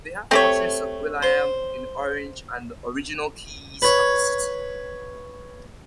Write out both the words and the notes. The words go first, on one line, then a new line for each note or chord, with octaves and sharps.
They have portraits of William of Orange and the original keys of the city.
A3 C4 G4 C#5
C5
B4 C#5